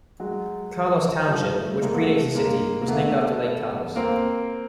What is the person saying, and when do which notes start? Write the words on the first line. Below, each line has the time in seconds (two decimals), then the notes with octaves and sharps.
Carlos Township, which predates the city, was named after Lake Carlos.
0.20 F#3 G#3
1.27 F3 G3
1.54 G3 A3
1.81 G#3 A#3
1.95 A3 B3
2.35 G#3 A#3
2.81 A#3
2.88 A3 B3
3.96 A#3 C4